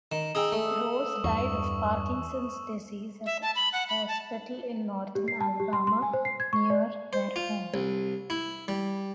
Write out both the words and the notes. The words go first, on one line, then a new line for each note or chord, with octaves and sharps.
Rose died of Parkinson's disease at a hospital in northern Alabama near their home.
D#3 E7
D#4 G#4 G5 D#6 E6
A3
E2 G2 C#6
E5
A5
B5
F#5
B5
A5
G4
C7
A5
G4
C6
C6
G#5
C5
C7
G#6
C#6
D5
C5
F4
C2
E4
G3